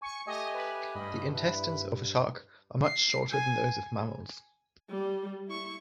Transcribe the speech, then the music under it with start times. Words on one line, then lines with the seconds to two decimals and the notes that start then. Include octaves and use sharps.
The intestines of a shark are much shorter than those of mammals.
0.02 G#5 C#6
0.27 A3 G4 D#5 G#5
0.54 B4
0.95 G2 D#5 B5
1.34 E4 B4
2.84 C7
3.30 G#5
4.90 G3
5.48 E4 C#6